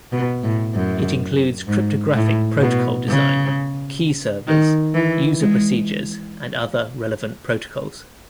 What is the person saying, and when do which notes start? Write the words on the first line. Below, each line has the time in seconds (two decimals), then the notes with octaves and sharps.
It includes cryptographic protocol design, key servers, user procedures, and other relevant protocols.
0.12 B2
0.43 A2
0.75 F#2
1.67 G#2
2.15 A2
2.61 B2
3.08 C#3
4.48 D#3
4.94 E3
5.41 G#3